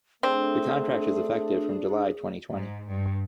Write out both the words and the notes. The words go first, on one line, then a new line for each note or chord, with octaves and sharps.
The contract is effective from July twenty twenty.
A3 C4 D4 G#4
G#2
G2